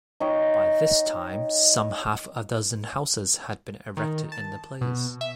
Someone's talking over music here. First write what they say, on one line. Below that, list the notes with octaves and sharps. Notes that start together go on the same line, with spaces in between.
By this time some half a dozen houses had been erected in the place.
D#4 C#5 G5
D#3
A5
B2
E5